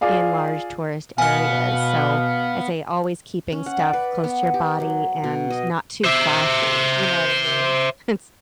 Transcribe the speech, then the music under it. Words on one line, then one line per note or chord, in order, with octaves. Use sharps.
in large tourist areas, so, I'd say always keeping stuff close to your body and not too flashy, you know what I mean? It's
F4 G#4 D5 F5
B2 B3 F5 G#5 F6
C#4
F#5
D5
B4
B3
G4
F#3
B2
D#5
C5 E5